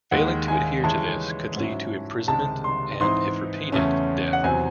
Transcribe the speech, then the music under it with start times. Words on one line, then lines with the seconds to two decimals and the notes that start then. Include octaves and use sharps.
Failing to adhere to this could lead to imprisonment and, if repeated, death.
0.11 D#2 D#3 G#3 F#5
0.48 G#5
0.84 C#3 E3 G#3 C#4 A5
1.56 G#2 F#3 C#4 E4
2.28 C#2 C3 D#3 G#3 A5
2.64 C6
3.00 G#2 E3 C4 D#4 C6
3.72 E2 C#3 E3 A3 C#4
4.33 F#5
4.44 E2 C3 F#3 C4 G#5